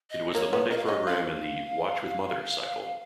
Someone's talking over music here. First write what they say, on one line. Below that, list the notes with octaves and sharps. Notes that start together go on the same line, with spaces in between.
It was the Monday programme in the "Watch with Mother" cycle.
D#5
A#3 C#5
B3
A#3 D#5
F5
C#4 D#5
F4 F5